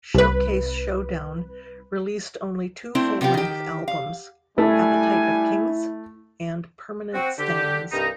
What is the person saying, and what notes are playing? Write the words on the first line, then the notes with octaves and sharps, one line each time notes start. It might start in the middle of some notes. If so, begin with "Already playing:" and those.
Showcase Showdown released only two full-length albums, "Appetite of Kings" and "Permanent Stains".
C2 B4
A3 C4 D4 E4
C3 B3 F4 G4
D#3 G4
F5
G3 A3 D4 E4 G#5
C4 F#4
D3 G4
C2 G2 D#4 A#5